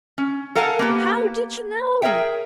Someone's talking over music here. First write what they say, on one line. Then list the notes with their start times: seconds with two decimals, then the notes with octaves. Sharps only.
"How did you know?"
0.18 C#4
0.55 A4 A#4 F5 F#5 G#5 A5
0.79 A#3 B3 G4
2.02 G#4 A#4 C#5 E5 G5